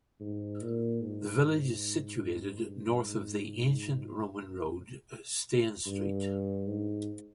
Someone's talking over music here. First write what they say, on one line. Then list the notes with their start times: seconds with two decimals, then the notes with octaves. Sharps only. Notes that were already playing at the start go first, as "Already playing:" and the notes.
The village is situated north of the ancient Roman road Stane Street.
0.20 G#2
0.62 A#2
1.01 G#2
2.63 G2
3.03 G#2
5.87 G2
6.67 G#2